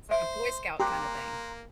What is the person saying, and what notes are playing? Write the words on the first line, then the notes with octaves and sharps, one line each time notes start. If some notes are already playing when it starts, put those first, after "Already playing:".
It's like a Boy Scout kinda thing.
C5 E5
A#3 G4 A#5 C6 F#6